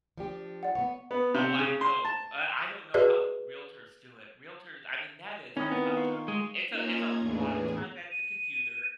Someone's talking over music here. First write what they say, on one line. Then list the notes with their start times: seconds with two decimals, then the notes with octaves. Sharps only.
Oh, I know. I I don't know how realtors do it Realtors I mean, that is a tough job it's a it's a lotta time at the computer
0.18 F3 D4 G4
0.63 D5 F#5
0.75 B3 B4 C#5 F#5
1.11 B3
1.34 C3
1.59 C#3
1.81 C6
2.05 A5
2.94 F#4 G#4 B4 D5 D#5
5.57 D#3 C4 C#4 E4 D#6
5.72 B3
5.97 F4 F5 C#6
6.28 G#3
6.69 A#3 C#4 D#4 F4 A#5 G#6
7.20 E2 A2 E3 D4 G#4
8.11 D#7